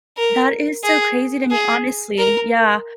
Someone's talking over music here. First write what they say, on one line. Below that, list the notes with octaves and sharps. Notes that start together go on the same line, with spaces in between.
That is so crazy to me, honestly. Yeah.
A#4
G#4
G#4
A#4